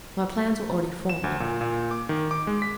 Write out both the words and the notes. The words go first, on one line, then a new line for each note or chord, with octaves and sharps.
My plans were already formed.
E7
D2
A#2
A#2
D6
D#3
D6
G#3
B6